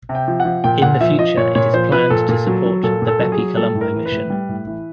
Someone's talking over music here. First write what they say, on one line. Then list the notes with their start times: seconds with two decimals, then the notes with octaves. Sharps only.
In the future it is planned to support the BepiColombo mission.
0.09 C3
0.15 G5
0.28 F3
0.40 F#5
0.45 F3
0.64 A#2 G5
0.82 A#2 F#5
1.01 F3 E5
1.19 F3 D#5
1.37 A#2 C#5
1.55 A#2 C#5
1.74 F3 C5
1.92 F3 B4
2.10 A#2 A4
2.29 A#2
2.47 F#3
2.65 F#3
2.83 A#2 A4
3.02 A#2
3.08 A4
3.21 F#3
3.32 G#4
3.38 F#3
3.57 G3 A4
3.75 A2
3.81 A#4
3.93 E3
4.06 B4
4.12 A2
4.30 G3
4.49 A2
4.67 E3